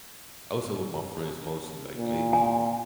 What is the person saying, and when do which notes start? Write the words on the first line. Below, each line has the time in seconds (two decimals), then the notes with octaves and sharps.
I would say with my friends mostly, like, maybe
1.97 A#2
2.33 G#5